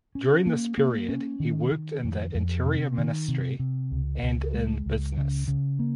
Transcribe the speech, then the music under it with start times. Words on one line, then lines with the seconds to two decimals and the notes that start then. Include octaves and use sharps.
During this period he worked in the Interior Ministry and in business.
0.15 C#4
0.46 A#3
0.78 A#3
1.09 C#4
1.40 D#3
1.71 D#3
2.04 F2
2.35 F2
2.66 C3
2.98 D#3
3.28 C3
3.59 C3
3.91 C#2
4.22 C#2
4.54 G#3
4.86 C#2
5.17 C#3
5.48 C#3
5.79 A#3